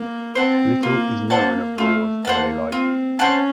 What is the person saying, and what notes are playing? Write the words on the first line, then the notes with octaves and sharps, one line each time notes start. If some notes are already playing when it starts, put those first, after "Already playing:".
Little is known of Rore's early life.
Already playing: A#3
C4 C5 F#5 A5
A#3 F4
A#3 C5 F#5 A5
A3 F4
A#3 C5 F#5 A5
C4 F4
C#4 C5 F#5 A5